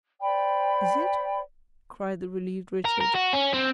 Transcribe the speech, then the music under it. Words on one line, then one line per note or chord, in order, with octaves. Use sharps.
"Is it?" cried the relieved Richard.
C5 D5 G5 B5
A#4
A#4
F#4
C#4
C4